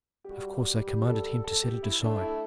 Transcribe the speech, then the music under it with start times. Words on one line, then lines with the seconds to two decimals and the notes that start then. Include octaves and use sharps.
Of course I commanded him to set it aside.
0.24 G4
0.30 G3 F#4
0.87 G4
1.07 A4
1.26 A4
1.44 A4
1.63 G4
1.83 E4
2.02 A3 D4
2.21 E4